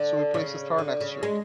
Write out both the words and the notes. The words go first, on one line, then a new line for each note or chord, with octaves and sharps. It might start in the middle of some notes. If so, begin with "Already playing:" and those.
So we place a star next to it.
Already playing: D3
C#3
D3
C#3
G#3